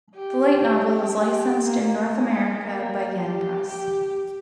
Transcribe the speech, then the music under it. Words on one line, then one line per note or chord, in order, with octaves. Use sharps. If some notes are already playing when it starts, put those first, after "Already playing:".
The light novel is licensed in North America by Yen Press.
G4
G4
A#3
G#3
A#3
G4
G4